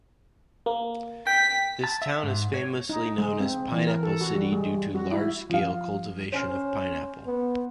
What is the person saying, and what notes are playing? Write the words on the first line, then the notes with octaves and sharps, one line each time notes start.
This town is famously known as "Pineapple City" due to large-scale cultivation of pineapple.
A#3
G5 B6
A5
E5
G#2
C#5
D#4
G#3
C4
E3
A#4
A4
F#4
G3
G#3
G3
F#4
E4
F3 F5
C#4 C5 G#5 F6
B3